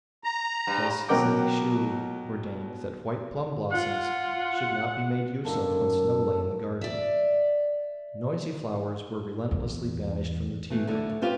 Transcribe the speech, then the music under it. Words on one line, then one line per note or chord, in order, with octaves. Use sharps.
Thus Sekishiu ordained that white plum blossoms should not be made use of when snow lay in the garden. "Noisy" flowers were relentlessly banished from the tea-room.
A#5
G2
B2 F#3 A#4 F#5 G5 D6
F4 F#5
F#2 D3 D#3 A#3 A4
D5 E5
E2
E3 A3
D3 D4 E4
D2
C4 C#4 F4 G4 B4